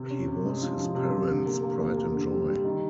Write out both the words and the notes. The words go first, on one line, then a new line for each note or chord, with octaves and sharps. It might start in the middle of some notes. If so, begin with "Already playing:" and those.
He was his parents' pride and joy.
Already playing: C3
C#4
C3
G#3
F3
F3
C3
C3
D3
A#3
A#3
A#3
A#3
D3
G3
G3
D#3